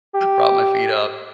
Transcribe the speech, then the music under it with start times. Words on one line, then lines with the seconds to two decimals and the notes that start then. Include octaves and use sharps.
prop my feet up,
0.15 G4